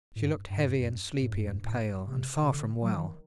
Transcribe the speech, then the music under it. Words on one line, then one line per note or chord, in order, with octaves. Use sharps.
She looked heavy and sleepy and pale, and far from well.
A2
G2
G2
A2
G2
F#2
A2
G2
F#2
G2
A2
C3
C3
D3
F#3
D#3